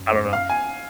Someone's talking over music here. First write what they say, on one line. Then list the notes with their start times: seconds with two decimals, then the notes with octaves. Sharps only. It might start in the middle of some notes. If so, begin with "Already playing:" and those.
I don't know.
Already playing: F#2
0.33 F5
0.49 G#5